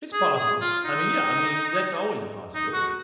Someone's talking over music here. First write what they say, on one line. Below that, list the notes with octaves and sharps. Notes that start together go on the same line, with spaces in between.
It's possible. I mean, yeah, I mean, that's always a possibility.
G#4
G#4
F4
D#4
D#4
F#4